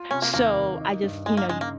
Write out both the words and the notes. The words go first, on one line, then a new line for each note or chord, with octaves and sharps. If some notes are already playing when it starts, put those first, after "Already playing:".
So I just, you know, y
Already playing: F4
C3 C#4
A#3
D#2 A#3
D#2
D#4
G2
G#3 D#4
A#3
C#3 G#3
A#3